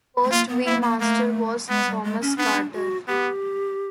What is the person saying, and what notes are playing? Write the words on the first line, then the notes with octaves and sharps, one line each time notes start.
The first Waymaster was Thomas Carter.
A3
A#3 F4
B3
A#3 E4
A#3
A3 A#3
G#3 B3
G3
G#3
C#4
B3 D4
C#4
D4
F#4
B3 G4